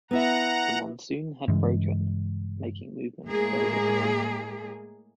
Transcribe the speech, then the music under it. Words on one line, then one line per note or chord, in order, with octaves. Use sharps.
The monsoon had broken, making movement very difficult.
B3 E4 E5 F#5 A#5
G2 C#3 E3 G#3
A2 G#3 A#3 G#4